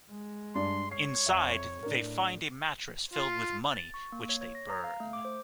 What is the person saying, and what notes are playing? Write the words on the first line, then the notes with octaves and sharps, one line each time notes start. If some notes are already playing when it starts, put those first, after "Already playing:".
Inside, they find a mattress filled with money-which they burn.
G#3
G2 D5 C6
C#5 C7
F2 E5 A#5
A2 D4 A#4
F4
A6
C#6
A#3
C#5
C#5
A#6
A#5
F5
A3
D6
C5